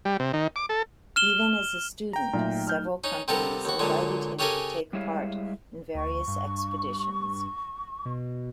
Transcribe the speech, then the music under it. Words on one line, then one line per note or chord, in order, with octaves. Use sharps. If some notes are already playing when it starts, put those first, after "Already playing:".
Even as a student, several companies invited him to take part in various expeditions.
G3
C3
D#3
D6
A4
F6 E7 G7
G5 A#5
A#2 F#3 A3 D#4 E5
F6 G6
C#4 D#4
C3 G3 B3 A4 A#4
D#2 F#4
A#2 D3 F#3 G#3
C#3 C#4 G4 A4 A#4 G#5
G3 G#3 E4 C#5 F5
D2 C#6
G2
B2